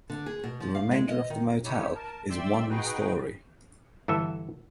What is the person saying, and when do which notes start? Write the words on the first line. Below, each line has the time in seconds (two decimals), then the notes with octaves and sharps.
The remainder of the motel is one story.
0.10 D3
0.26 G#4
0.44 B2
0.60 F3
0.75 F5
0.91 G#3
1.08 D#5
1.30 D#3
1.65 D#4 E4 G4 C#5
1.95 A#4 A5
2.30 D5 E5 G5 C6 E6
2.69 D#4 F#4 G#4 B4 G5
4.08 G1 E3 A4 E5